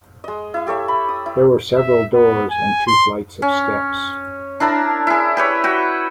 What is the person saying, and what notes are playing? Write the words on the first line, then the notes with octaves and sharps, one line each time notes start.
There were several doors, and two flights of steps.
G#3 D#5
E4 F5
G4 A4 C#5 E5
B5
D#6
E4
E5
B3
G#5
C6
C#4
D4 E4 A#4 A5
E4 G#4
G4 B4 C#5
F#4 G5